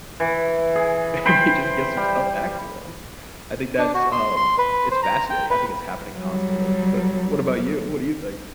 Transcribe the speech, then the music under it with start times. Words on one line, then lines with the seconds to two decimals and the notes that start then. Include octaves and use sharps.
and they just give some stuff back to us. I think that's, um it's fascinating, I think it's happening constantly, but what about you? What do you think?
0.20 E3
0.75 G#4
1.25 C5 G5 B5
1.97 G3
3.79 D4
3.94 F#4
4.12 C6
4.36 C6
4.58 B4
4.91 C5
5.03 A#5
5.30 G5
5.50 B4
6.16 F#3 G3